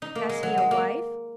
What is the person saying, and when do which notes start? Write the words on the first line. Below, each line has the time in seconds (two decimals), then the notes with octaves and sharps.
"Has he a wife?"
0.02 D#4
0.15 A#3
0.29 G#3
0.43 F#3
0.58 G#3
0.71 A#3